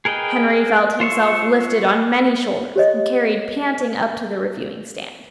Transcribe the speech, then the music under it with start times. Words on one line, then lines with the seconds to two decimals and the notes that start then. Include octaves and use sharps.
Henry felt himself lifted on many shoulders and carried panting up to the reviewing stand.
0.05 G#4 A#4 B4 D#5 G5
1.00 F4 C5 C#5 E5
2.76 G4 C#5 D#5